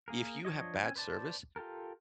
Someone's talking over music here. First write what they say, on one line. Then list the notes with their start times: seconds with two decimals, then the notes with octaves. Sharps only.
if you have bad service,
0.08 A#3 G#4 A#4
0.45 F3 D4 C#5 D#5
0.83 C4 C#4 G#5
0.96 B4 C5 D5 A5
1.56 F4 G4 A4 A#4